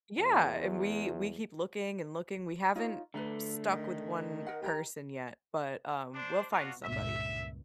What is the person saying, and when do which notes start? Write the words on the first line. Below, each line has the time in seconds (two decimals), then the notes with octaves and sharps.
Yeah, and we we keep looking and looking, we haven't stuck with one person yet, but, um, we'll find somebody.
0.18 E2
2.75 D#4 F4 C#5
3.14 D3 A3 B4 A#5
3.72 D#3
4.46 A#4 F#5
4.62 G4 A#4 A#5
6.15 D4 C5
6.52 B3 D4 F4 F#4
6.83 C#2 G2 A#2 E5